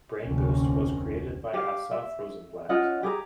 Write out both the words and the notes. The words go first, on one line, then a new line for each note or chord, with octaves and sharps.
Brainboost was created by Assaf Rozenblatt.
F1 D2 A#3 C4 C#4
G4 F5
E5
C#4 F4 D#5 F#5
G4 G#4 A#5